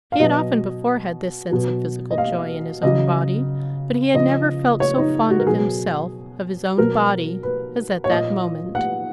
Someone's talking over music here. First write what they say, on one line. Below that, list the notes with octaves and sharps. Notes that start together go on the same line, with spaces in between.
He had often before had this sense of physical joy in his own body, but he had never felt so fond of himself, of his own body, as at that moment.
F5
B2 F#3 D#5
B2 F#3
D#5
F5
C#3 F#3 D#5
C#3 F3 D#5
C#5
D#4
F#4
A#4
B2 F#3 G#4
B2 F#3 A#4
B4
C#5
A#2 F3 D#5
F#5